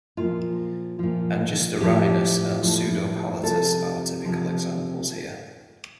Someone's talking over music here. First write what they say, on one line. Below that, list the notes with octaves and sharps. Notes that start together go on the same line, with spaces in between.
"Angistorhinus" and "Pseudopalatus" are typical examples here.
A#2 F3 F4
A#2 F3
A2 F3 G4
A2 F3
C3 F3 A4
C3 F3